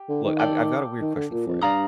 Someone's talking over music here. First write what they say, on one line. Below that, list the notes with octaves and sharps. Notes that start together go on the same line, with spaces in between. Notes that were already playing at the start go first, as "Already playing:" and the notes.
look, I've I've got a weird question for ya
Already playing: G4
D3
D#3
A4 D5 G5 D6
D#3
D3
A#2
F2
G2 D5 F5 A#5 D#6